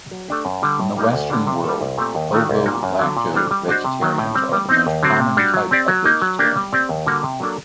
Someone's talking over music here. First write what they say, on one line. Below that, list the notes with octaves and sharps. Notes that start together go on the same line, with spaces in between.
In the Western world, ovo-lacto vegetarians are the most common type of vegetarian.
F#3
A3 D4 G4
F#2
D3 G3
A2
G3 A#3 D#4 G4
D2
D3 G3 D4
C3
G3 A#3 F#4 A4
C2
A#2 A3 C4 G4
D#2
D#3 A3 D4 F#4
C2
A#2 G3 A#3 F#4
F#2
D3 F#3
A#2
G3 D4 A4 C5
G3
D4 F#4 C5 D#5
C3
D#3 F#3
A2
G3 C4
G3
C4 D#4
D#2
D3 F#3 C4
C3
G3 D4 F#4
F#3
C4 G4 D5
F#3
A#3 D#4
F#3
A#3 D4 G4 D5
G3
C4 G4 D5
D#2
D3 G3 A#3 F#4
C3
F#3 A#3 D4 A4